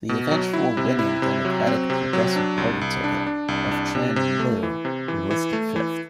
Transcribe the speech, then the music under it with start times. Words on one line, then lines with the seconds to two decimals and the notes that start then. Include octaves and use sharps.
The eventual winning Democratic Progressive Party ticket of Chen and Lu were listed fifth.
0.09 B2
0.31 F#3
0.53 E4
0.77 C3
0.99 E4
1.22 C3
1.45 F#3
1.67 C4
1.90 C3
2.13 F#3
2.36 D4
2.58 C2
2.81 C2
3.04 D4
3.26 D4
3.48 C2
3.71 D4
3.95 C3
4.16 C3
4.39 A3
4.63 E3
4.85 C3
5.08 E3
5.31 E3
5.53 A3
5.76 E3